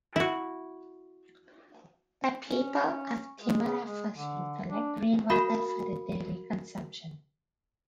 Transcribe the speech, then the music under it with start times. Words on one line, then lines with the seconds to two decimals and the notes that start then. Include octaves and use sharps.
The people of Thimarafushi collect rainwater for their daily consumption.
0.16 E4 F#4
2.47 C#4
3.41 G#3
3.64 C#3
3.84 G#3
4.16 D3
4.70 D4
5.30 F#4 A#4 F5 B5